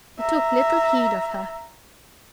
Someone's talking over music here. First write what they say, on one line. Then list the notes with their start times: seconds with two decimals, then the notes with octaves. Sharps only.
He took little heed of her.
0.19 E5 A#5